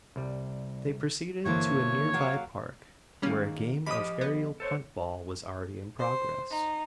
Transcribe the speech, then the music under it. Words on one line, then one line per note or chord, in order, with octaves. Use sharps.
They proceeded to a near-by park, where a game of aerial punt-ball was already in progress.
C2 G3
G1 G2 E3 A#3 C5 C#5
F#3 A#3 F5
D#3 G3 A#3 C#4 G#4
F3 G4 D#5 B5 D#6
B3
A4 C5 C#5
C5
D#4